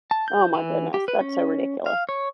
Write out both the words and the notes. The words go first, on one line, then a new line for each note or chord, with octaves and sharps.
Oh my goodness. That's so ridiculous.
A5
G6
E3
G4
B4
C#4
F5
C#5